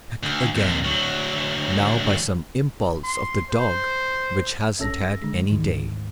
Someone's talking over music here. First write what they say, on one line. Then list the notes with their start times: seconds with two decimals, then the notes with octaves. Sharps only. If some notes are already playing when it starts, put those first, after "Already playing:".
Back again, now, by some impulse of the dog which hasn't had any day.
0.23 D2
0.55 F2 A#2
0.84 D2 F#3
3.04 C6
3.50 C5
4.79 A1 C#4 A4 E5 E6 A#6
5.22 D3 G#3
5.50 D2 G#2 D#3 E3